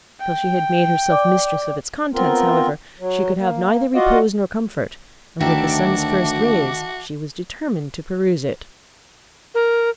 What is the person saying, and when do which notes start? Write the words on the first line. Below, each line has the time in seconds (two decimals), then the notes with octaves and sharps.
Till she had made herself mistress of its contents, however, she could have neither repose nor comfort; and with the sun's first rays she was determined to peruse it.
0.20 G5
1.10 D5 D6
2.14 B3 C4 F4 A#4
3.00 F#3
3.39 A#3
3.95 F4 F#4 D5 D#5 F5 F#5
5.40 D2 D#3 F#4 E5 A5 D6
9.55 A#4